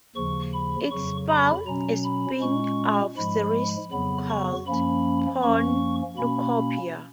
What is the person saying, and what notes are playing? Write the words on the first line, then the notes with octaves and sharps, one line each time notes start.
It spawned a spin-off series called "Pornucopia".
D#2 C#3 F3 C#6
B5
F2 C#3 F#3 C#6
B5
B2 F#3 C#4 A#5
B5
A#2 G#3 C#4 C#6
G#2 F3 G#3 B5
F2 C#3 F#3 B3 B5
C#6
F#2 F3 A#3 C#4 B5
F#2 F3 A#3 C#4 C#6
B2 A#3 C#4 B5